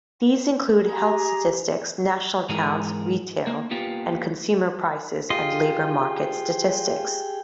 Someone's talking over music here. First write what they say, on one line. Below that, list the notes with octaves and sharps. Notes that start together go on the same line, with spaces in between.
These include health statistics, National Accounts, Retail and Consumer Prices and Labour Market Statistics.
G4 G#4 A#5
G#2 E3 G#4 A#4
A#3
A#3 B3 F4 G4
F4 G4 G#4 D#5 G5